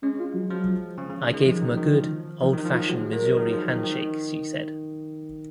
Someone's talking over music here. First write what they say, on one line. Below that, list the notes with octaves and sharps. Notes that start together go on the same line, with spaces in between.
I gave him a good, old-fashioned Missouri handshake, she said.
G#3 C#4
F4
F#3
F3
C#3
C#3
D#3
G#3
F3 F#3
D#3
D#3
D#3 F3
D#3 F3
D#3 D#4
F3
F4
F#3
G#3 F#4
F#3 A#4
D#3
F3
D#3
D#3